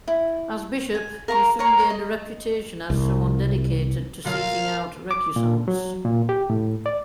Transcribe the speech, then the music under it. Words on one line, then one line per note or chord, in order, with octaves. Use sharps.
As bishop, he soon gained a reputation as someone dedicated to seeking out recusants.
E4
G#5
A#4 F5 A#5 C#6
A#4 C#5 A#5 C#6
D#5
C2
B2 D3 F#3 F4 A#4 F5
D6
A#2
F#3
A#2
G4
A2
D5